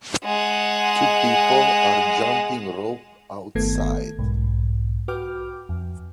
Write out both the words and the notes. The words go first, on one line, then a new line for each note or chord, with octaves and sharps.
Two people are jumping rope outside.
G#3 F#5
G1 D#3 A3 B3 A4 G#6
B1 G#2
F#4 B4 G5 D6 F6
F2